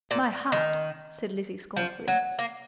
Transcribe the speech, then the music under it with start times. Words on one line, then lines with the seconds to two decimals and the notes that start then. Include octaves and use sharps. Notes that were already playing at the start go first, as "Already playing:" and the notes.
"My heart!" said Lizzie scornfully.
0.11 A#2
0.52 D#3
1.76 F3
2.08 F#3
2.39 A#3